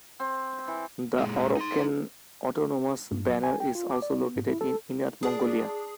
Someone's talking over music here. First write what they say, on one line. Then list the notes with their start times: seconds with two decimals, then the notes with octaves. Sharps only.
The Oroqen Autonomous Banner is also located in Inner Mongolia.
0.20 C4
0.68 E3
1.19 A#2 G#3
1.57 D#4 C6
3.12 G2
3.27 F#3
3.43 G#5
3.60 G5
3.75 F4
3.91 D6
4.02 D5
4.20 B3
4.36 G#2
4.49 E4
4.61 A4
5.23 D4 G#4